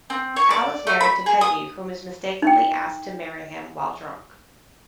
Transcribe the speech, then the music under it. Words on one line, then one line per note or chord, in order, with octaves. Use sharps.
Al is married to Peggy, whom he mistakenly asked to marry him while drunk.
C4
C#5
D5
A3
B5
G#4
D#6
D#4 G5